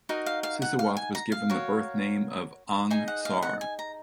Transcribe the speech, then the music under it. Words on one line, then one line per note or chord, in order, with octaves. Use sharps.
Sisowath was given the birth name of "Ang Sar".
D#4 F#4 A#4 D#5
F5
F5
F#5
F5
G#5
A#5
F5
F#4 A#4 C#5
D#4 G#4 D#5 G#5
F#5
F5
F#5
G#5
A#5